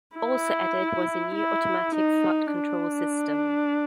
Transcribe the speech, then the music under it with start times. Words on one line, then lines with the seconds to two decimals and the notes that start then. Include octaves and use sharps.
Also added was a new automatic flight control system.
0.17 E4
1.35 E4
1.95 D#4
2.54 D4